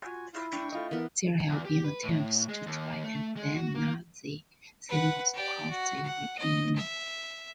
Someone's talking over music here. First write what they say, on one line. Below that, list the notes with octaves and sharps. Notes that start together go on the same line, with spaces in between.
There have been attempts to try and ban Nazi symbols across the European Union.
F4 F#4 G#5
E4 F4 F5
A2 D4 G5 C#6
A3 E4 F4 D#5
E3 B3 A#4
E2
G4
B4
A2
G#3
D#2
A3
G#3
F#4
A#3
B4 F#5
G4 D5
F#4
F#5
D#5
E5